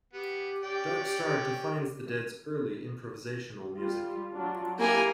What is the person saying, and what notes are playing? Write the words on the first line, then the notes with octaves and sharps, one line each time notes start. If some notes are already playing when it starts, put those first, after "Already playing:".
"Dark Star" defines the Dead's early improvisational music.
B3 G4
C#4 D5 G5
G3 F4
F#3 D4 F4
A#3 E4 G4 G#5 A#5